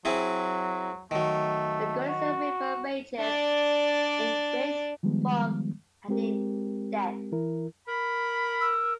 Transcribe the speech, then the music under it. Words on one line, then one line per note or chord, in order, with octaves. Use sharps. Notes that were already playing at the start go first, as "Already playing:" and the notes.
The Gunnison River ranges in width from and in depth.
F#3 C4 E4 G#4
D#3 F#3 A3
F#4
D4 D5
D#3 F3 G3 G#3 B3
G#3 C4 G4 A#4
E3 E4 A#4
A#4 B5
E6